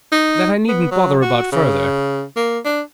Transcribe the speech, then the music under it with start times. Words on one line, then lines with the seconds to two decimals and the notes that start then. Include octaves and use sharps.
That I needn't bother about further....
0.12 D#4
0.68 B3
0.91 F#3
1.22 F#4
1.52 C#3
2.36 A#3
2.65 D4